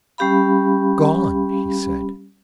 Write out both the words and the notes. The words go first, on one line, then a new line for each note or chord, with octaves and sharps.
"Gone!" he said.
G3 C#4 G4 F5 B5